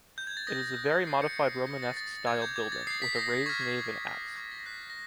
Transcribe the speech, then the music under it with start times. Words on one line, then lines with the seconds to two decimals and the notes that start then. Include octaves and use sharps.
It is a very modified Romanesque-style building, with a raised nave and apse.
0.18 G6
0.27 G#6
0.37 A6
0.47 D#6 F#6 A#6
0.77 D#6 F#6
1.07 C#6 F#6 C7
1.22 C#7
1.37 C#6 C#7
1.40 F#6
1.52 C7
1.67 D#6 G6 A#6
1.82 A6
1.97 D#6 G6 A6
2.26 D6 G6 G#6
2.42 G6
2.56 D6 G6 G#6
2.72 A6
2.87 D#6 C7
2.90 G6
3.02 B6
3.16 D#6 G6 A#6
3.46 C#6 G#6
3.49 F6
3.61 G#6
3.76 C#6 F6
4.06 C#6 F6
4.36 C#6 F6 G#6
4.51 A#6
4.66 C#6 F#6 B6
4.90 A#6